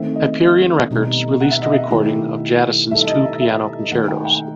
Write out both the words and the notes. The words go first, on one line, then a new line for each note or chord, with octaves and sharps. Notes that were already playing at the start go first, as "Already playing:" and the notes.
Hyperion Records released a recording of Jadassohn's two piano concertos.
Already playing: D#3 A3 C4 E5
D#5
D#5
B2 G3 D#4
F#5
E5
D#5
E5
D#3 A3 E4 G4
G3 D#4 A4 E5
D#5
E5
E5
D#3 A3 D#4 F#5
G5
G5